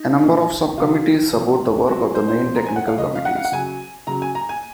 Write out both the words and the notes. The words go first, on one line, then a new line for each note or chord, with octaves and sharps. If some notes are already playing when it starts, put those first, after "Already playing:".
A number of Sub-Committees support the work of the main technical committees.
Already playing: D#4
A#2 F3
C#3 F#3 F4
C3 F3
C3 F#3 F#4
G#4
C5
C5
A#2 F3
A#5
G#5
F#5
F5
C#3 F3 D#5
F5
F#5
F5
F#5
C#3 F#3 G#5
C#3 F#3 A#5
G#5
A#5
G#5